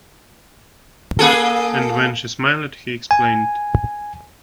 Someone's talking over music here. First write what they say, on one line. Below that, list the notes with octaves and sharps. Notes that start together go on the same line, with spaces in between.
And when she smiled he explained.
A#3 G#4 A4
G#5